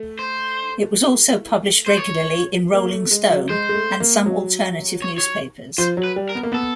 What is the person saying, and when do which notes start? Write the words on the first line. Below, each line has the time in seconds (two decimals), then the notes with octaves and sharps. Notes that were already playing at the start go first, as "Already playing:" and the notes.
It was also published regularly in "Rolling Stone" and some alternative newspapers.
Already playing: A3
0.19 C5
1.86 C5
1.97 C#5
2.74 A#3
2.93 A3
3.11 G#3
3.30 F#3
3.49 G#3 C5
3.69 G#3
3.75 A3
4.00 A#3
4.26 F#3
5.02 C#5
5.18 C#5
5.78 F3 C5
5.97 F#3
6.04 B4
6.16 G3
6.29 A#4
6.35 B3
6.43 A#3
6.52 B3 A4